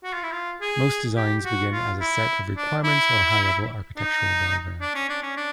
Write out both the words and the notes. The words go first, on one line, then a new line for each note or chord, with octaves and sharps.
Most designs begin as a set of requirements or a high-level architectural diagram.
F#4
F4
E4
F4
G#4
G4
F#4
F4
E4
D4
E4
D#4
D4
C#4
D4
C#4
D4